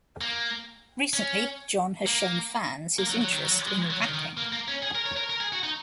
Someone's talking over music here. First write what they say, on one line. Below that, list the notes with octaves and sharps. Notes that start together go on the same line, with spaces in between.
Recently, John has shown fans his interest in rapping.
A#3
C#4
A#3
A#3
F#3
F#3
D#3
F#3
G#3
F#3
D#3
D#3
A#3
A#3
C#4
G#4
A#4
C#5
A#4
A#4
G#4
F#4
D#4